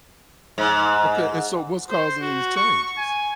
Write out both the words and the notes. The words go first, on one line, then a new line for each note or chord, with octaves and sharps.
Okay, and so what's causing these changes?
G#2
C5
F#4
C#6
G#5